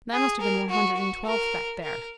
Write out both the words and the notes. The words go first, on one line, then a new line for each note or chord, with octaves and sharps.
That must have been One Hundred and Twelfth back there.
G#4
A#4
F#4
F#4
A#4
A#4